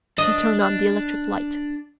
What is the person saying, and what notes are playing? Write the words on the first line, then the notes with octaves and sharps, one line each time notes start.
He turned on the electric light.
D4 D#5